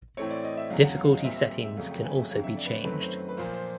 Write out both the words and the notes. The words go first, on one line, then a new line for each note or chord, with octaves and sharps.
Difficulty settings can also be changed.
A2 E3 A3 C4 C#5
D5
D#5
E5
E2 C#3 F#3 F5
F#5
F5
F5
D#5
A#2 G3 C4 E5
E5
E5
F2 C#3 F#3 A3 F5
G5
G#5
E5
F2 D3 F#3 F5
E5
D5
B4
C5
F#2 D#3 F#3 A3 C4 B4
C5
B4
A#2 F3 A#3 C5
C5